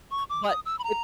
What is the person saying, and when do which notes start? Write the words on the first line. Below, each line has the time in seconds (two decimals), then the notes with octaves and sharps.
but i
0.11 C#6
0.30 D6
0.47 D#6
0.65 E6
0.79 B5
0.84 A#5